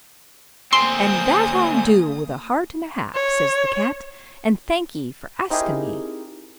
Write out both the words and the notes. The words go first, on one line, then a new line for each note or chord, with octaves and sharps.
"And that I'll do with a heart and a half," says the cat, "and thank 'ee for asking me."
D2 A#3 C4 G#5 C6 D#6
C#5
C4 D#4 E4 G4 G#4 A#4